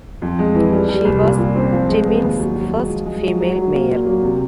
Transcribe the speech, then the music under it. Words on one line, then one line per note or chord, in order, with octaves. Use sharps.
She was Timmins' first female mayor.
F2
G#3
E3
G3
G3
C2
A#2
A#2
C4
F3
G#3
B3
D#2
F#3
F#3
G#3
F3
G#3
F#3
F#3
F#3
A#3
A#2
F#3
C3